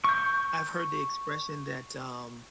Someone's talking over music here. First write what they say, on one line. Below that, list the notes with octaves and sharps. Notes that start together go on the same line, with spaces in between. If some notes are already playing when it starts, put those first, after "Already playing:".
I've heard the expression that, um
C#6 G6